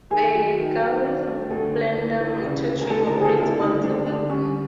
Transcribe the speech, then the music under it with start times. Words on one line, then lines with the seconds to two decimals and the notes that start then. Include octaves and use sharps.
The Gulflander motor train operates once a week.
0.10 D#3 G#4
0.34 F#3
0.58 D#3
0.81 D#3
1.04 D4
1.27 A3
1.50 D2 A4
1.73 D2
1.97 E3
2.20 E3
2.44 C#3
2.67 E3
2.81 A#4
2.90 D3 A4
3.07 A#4
3.13 C4
3.20 G#4
3.25 A4
3.36 D3 F4
3.43 E4
3.60 G3 D#4
3.83 C4 D4
4.06 D3 D4
4.29 G3 C#4